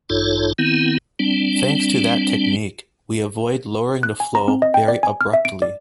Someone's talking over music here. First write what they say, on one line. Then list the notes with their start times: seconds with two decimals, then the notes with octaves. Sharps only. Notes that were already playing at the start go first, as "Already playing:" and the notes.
Thanks to that technique, we avoid lowering the flow very abruptly.
0.10 A1 G2 D#4 F4 A4 C#5
0.58 D#3 B3 C4 E4
1.19 G3 C4 D4
4.03 F#6
4.20 G#5
4.35 A#5
4.48 C4
4.62 D#5
4.74 G5
4.88 D5
5.03 G#5
5.21 F6
5.33 E5
5.45 D7
5.62 D5